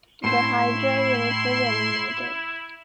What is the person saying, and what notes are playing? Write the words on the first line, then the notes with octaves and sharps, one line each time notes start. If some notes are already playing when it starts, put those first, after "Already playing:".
The Hy-Drive unit was eliminated.
A2 E4 C5 C6